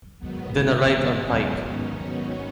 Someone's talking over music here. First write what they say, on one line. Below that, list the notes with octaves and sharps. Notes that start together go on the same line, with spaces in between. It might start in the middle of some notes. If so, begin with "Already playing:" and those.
Then a right on Pike.
G#2 D#3 F#3 B3
C#4
D#4
B3
D#4
F#4